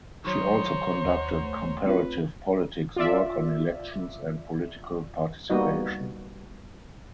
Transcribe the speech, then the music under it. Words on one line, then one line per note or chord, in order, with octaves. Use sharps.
She also conducted comparative politics work on elections and political participation.
D#3 F#3 C5 C#5 A#5 C#6 D#6
D#2 F#5
A3
C4 F4 B4 C#5
F4 D5 E5
G3 A#3 B3 D#4 F#4 D#5